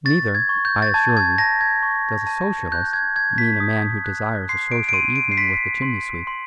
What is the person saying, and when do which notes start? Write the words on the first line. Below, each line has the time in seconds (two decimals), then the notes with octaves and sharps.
Neither, I assure you, does a Socialist mean a man who desires a social evening with the chimney-sweep.
0.05 C#6 A6
0.35 G#6
0.49 C#6
0.65 G6
0.82 A6
0.94 A5 G#6
1.17 G#6
1.38 A5 A#6
1.61 G#6
1.83 C#6
2.27 A5
2.72 F#6 G6
2.93 G#6
3.16 F#6 G#6
3.38 B6
3.60 D#6
4.04 F#6
4.49 C6 C7
4.72 D7
4.89 D7
4.93 C6 D#7
5.16 D7
5.32 C7
5.38 C6 B6
5.82 C6
6.27 C6